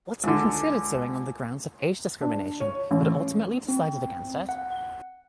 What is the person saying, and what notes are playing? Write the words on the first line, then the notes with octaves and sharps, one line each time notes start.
Watson considered suing on the grounds of age discrimination but ultimately decided against it.
C#2 D3
D4
C#5
A1
C4
F#5